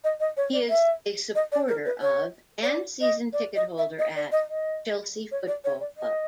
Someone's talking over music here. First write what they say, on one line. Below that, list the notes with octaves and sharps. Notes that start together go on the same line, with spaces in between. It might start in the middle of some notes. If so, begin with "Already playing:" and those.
He is a supporter of, and season ticket holder at, Chelsea football club.
D#5
D#5
C#5
D5
E5
D#5
D5
A#4
B4
C#5
C#5
D5
D#5
D5
D#5
E5
D#5
D5
D#5
D#5
C#5
D5
C#5
D5
D#5